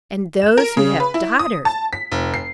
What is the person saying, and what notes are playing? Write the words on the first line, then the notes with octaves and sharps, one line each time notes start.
And those who have daughters!
E7
A#4
C#3
B4
E4
D#6
A5
B6
F1
C7